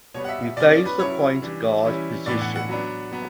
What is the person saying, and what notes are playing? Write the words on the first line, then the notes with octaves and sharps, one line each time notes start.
He plays the point guard position.
B2 G3 B3 C#5
F#5
E5
E5
B2 G3 C#4 D5
D5
B4
F#3 C#4 E4 C#5
E3 G3 D4
E3 G3 C#4 E4
A2 E3 B3 D4 D5
F#5
F#5
F#3 B3 D4
F#3 B3